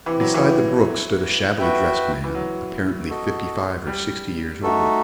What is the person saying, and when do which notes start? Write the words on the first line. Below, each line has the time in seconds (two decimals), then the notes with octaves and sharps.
Beside the brook stood a shabbily-dressed man, apparently fifty-five or sixty years old.
0.06 E3 C4 E4 G4
0.20 F#3
0.34 E3
1.59 F#4 B4 E5 G5
2.24 E3
2.35 F#3
3.10 F#4 A4 D#5
3.86 G3
4.63 A3 D#4 F#4 A4